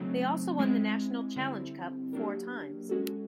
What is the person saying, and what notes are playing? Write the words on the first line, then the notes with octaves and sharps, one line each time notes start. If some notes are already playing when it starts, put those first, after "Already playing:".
They also won the National Challenge Cup four times.
Already playing: C#3 F#3 A3 C4 D#4
G#3 C4 E4
D3 G3 C4 E4
F#3 A#3 D4 G4 A#4
G#3 C#4 F#4 A4